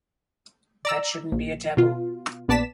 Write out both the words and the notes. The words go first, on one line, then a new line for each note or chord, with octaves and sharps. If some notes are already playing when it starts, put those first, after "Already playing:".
That shouldn't be a taboo.
D5 A#5 E6
A#1
B2 F4
A#1 B3 D5 A5 B6 E7